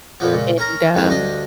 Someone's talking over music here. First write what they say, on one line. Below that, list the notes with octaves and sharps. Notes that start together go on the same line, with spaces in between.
and, um
F2 A#2 F3 B3
C#2 A#2
C#4 A#4 A#5
D#2 G#2 D#3 E3 B4
D2 G2 D4 D#5